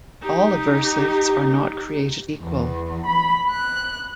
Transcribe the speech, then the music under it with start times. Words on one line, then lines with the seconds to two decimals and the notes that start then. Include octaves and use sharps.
All aversives are not created equal.
0.22 D#4 G4
2.43 E2
3.06 B5
3.50 F#6